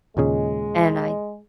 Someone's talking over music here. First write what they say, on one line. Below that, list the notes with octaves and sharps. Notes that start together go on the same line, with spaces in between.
and I,
D#2 A#2 C#3 G#3